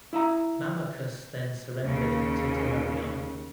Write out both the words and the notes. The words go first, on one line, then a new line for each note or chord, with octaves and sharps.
Mamercus then surrendered to Timoleon.
E4 E5 A#5
D#2 C#3